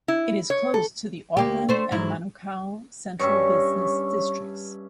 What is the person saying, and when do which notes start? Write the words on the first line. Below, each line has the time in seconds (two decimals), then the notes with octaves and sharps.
It is close to the Auckland and Manukau central business districts.
0.08 E4
0.50 C#5
0.74 A4
1.37 D2 A#3 G4
1.69 A3 C5
1.92 G#2 F#3 E4
3.20 G2 C#4 C#5 E5 C#6